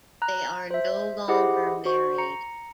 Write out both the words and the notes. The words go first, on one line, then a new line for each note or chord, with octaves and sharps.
They are no longer married.
A#5 F#6
C5 E5
E4 G4 G#4 C5 D#5 F#5
F#4 C5 C#6
A#5 C#7